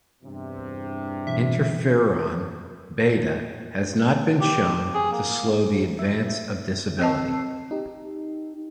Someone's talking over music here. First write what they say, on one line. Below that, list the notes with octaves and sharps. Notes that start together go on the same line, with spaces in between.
Interferon beta has not been shown to slow the advance of disability.
E2 G2 C3
B2 E3 E5
G4
G#4
A#3
E5
C4 D#5 A5 E6 C7
D#4 G4